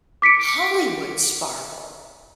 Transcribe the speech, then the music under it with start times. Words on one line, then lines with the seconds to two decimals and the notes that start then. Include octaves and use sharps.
Hollywood sparkle.
0.22 D6 B6 C#7 D7